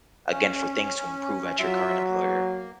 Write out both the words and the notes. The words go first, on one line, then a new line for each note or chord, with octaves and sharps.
again, for things to improve at your current employer,
C#4
F#3 F4 E5
A#3